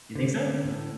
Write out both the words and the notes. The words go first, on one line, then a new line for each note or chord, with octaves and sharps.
You think so?
D3
A2